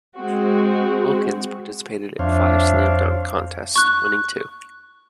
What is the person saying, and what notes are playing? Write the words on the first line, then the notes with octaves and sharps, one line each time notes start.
Wilkins participated in five slam dunk contests, winning two.
G#3 C4 F#4
F2 D4 C5 C#5 E5 F5
C#6 F#6